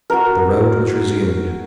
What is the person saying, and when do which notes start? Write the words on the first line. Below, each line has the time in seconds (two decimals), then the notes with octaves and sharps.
The road was resumed.
0.10 F#4 A#4